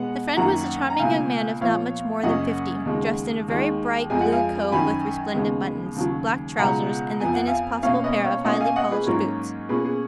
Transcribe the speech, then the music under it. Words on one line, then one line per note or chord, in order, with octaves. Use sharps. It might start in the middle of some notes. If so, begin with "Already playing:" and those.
The friend was a charming young man of not much more than fifty, dressed in a very bright blue coat with resplendent buttons, black trousers, and the thinnest possible pair of highly-polished boots.
Already playing: B2 G#3 B3 F#5
F#2 D#3 F#3 A#3 C#4 F#5 A#5
A#5
C#2 B2 A#3 F5 G#5
A#2 F3 B3 C#5 F5
F#2 C#3 F#3 A#3 C#4 D#5 F#5
D#2 C#3 G#3
D#2 D#3 G#3
F2 F3 G#3 G#5
F#5
F5 G#5
F#2 D#3 F#3 C#4 G#5 B5
D#2 C#3 G#3 B3
D#2 C#3 F#3
C#2 B2 G#3 B3 F#5 A#5
F2 F3 B3 G#5
F#5
F5 G#5
B2 A#3 C#4 C#5 F5
B4 D#5
C#5 F5
B2 A#3 C#4 D#5 F#5
F5 G#5
D#5 F#5
G#4 B4
G#2 F#3 A#3 C#4 A#4 C#5
B2 A#3 C#4 G#4 B4
G#4